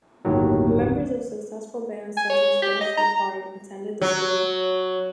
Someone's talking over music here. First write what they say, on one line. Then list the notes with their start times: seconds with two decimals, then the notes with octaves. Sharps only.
Members of successful bands such as Def Leppard attended the school.
0.25 G1 D#2 A2 D#3 F#3
2.17 G#5
2.30 C#5
2.62 G4
2.81 D#5
2.97 A#5
4.01 F#3